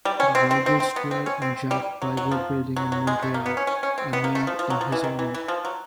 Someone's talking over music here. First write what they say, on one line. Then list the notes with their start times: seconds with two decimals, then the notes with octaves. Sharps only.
The Viger Square and Jacques Viger Building in Montreal are named in his honour.
0.05 G3
0.20 C#4
0.35 C4
0.51 C4
0.66 C4
0.80 C4
0.96 B3
1.11 C4
1.26 C#4
1.42 C4
1.71 G3
2.02 F#3
2.17 F#3
2.31 F3
2.77 F#3
2.92 F#3
3.07 G#3
3.22 A3
3.34 A#3
3.46 B3
3.57 C#4
3.67 C#4
3.83 C#4
3.98 C4
4.13 B3
4.24 A#3
4.35 A3
4.47 F3
4.59 F3
4.70 F#3
4.81 F3
4.92 E3
5.04 D#3
5.19 E3
5.35 E3
5.48 F3
5.65 F#3